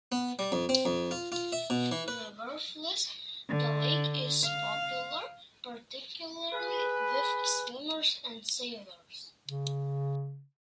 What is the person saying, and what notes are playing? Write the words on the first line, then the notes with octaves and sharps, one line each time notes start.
Nevertheless, the lake is popular particularly with swimmers and sailors.
B3
G3
F2
C4
F2
F4
F4
E5
B2
E3
B4
D3
F5
G#4 B4
C#3